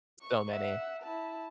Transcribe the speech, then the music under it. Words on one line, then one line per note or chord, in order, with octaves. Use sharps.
So many.
C#6
E5 F#5
E4 A5